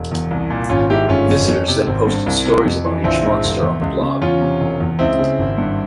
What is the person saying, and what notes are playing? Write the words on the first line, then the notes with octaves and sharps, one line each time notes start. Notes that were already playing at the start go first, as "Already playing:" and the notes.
Visitors then posted stories about each monster on the blog.
Already playing: E1
E2
C2
A#2
G#1 C#4 F4
G#2 E4 G4
G1 C#4 F4
F2
F2
C3
G#1 C4
G2
C2
C3
F2
E3
A#1 C4 E4
G#2
E1
E2
C#2
C#3
E2 C#4 F4
C3
E1
E2
C#2 C4 E4
C#3
G#1
G2